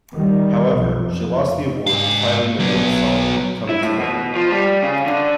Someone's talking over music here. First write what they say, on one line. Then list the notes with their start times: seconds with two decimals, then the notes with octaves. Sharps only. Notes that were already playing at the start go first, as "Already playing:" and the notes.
However, she lost the award to Kylie Minogue's song "Come into My World".
0.13 D#3 G3
0.73 B1 F3
1.08 F2
1.88 G#2 F5
2.59 F#3 B3
3.69 E4
3.82 A2
3.99 B2
4.36 F3
4.52 G3
4.83 C#3
5.07 D3